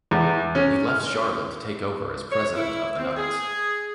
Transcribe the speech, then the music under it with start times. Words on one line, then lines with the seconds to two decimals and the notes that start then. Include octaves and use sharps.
He left Charlotte to take over as president of the Nuggets.
0.11 E2
0.55 C#4
0.89 F6
2.31 C#5
2.56 E4
2.98 C4
3.16 G#4